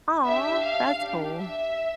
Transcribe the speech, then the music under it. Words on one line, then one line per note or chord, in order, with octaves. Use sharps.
Aw, that's cool.
D4 G4 E5
F5
D4 G4
E5